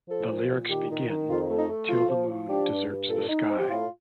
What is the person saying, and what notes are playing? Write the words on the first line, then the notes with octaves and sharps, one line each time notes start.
The lyrics begin: "Till the moon deserts the sky".
F3 A4
A#2
A#2
D#3 G4
D#3
D#3
F2 F4
A3
D#4
A3
F3 F4
F3
F3
D4 G4
G2
G2
A#2 A4
D#4
C4
G4
A2 F4